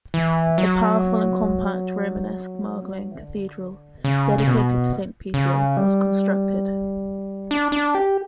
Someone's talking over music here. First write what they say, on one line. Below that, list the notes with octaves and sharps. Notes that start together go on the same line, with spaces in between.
The powerful and compact Romanesque Maguelone Cathedral, dedicated to Saint Peter, was constructed.
E3
F#3
E3
D3
B2
C#3
C#3
B2
C#3
G3
D4
D4
G4